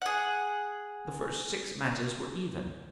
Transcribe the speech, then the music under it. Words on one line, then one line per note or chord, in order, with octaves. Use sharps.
The first six matches were even.
G#4 F#5